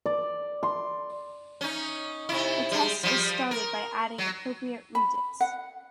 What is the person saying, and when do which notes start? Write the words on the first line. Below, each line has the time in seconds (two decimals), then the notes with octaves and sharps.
The test is started by adding appropriate reagents.
0.06 D5
0.63 C6
1.61 C#4 D#4
2.29 C3 E4
2.72 G3 G#3
3.03 F3 G3
3.51 A#4
4.18 F#3
4.95 B5
5.40 F#5